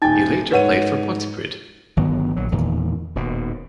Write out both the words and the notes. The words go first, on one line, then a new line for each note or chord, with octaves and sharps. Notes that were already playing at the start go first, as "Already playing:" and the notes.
He later played for Pontypridd.
D#1 D#4 G5 G#5 A6
G#2 B4 C#5 F#5 D#7
G1 D#3 F#3 B3
A#1 F#3
E1 E2 A#2 D#3
D#1 D#2 B2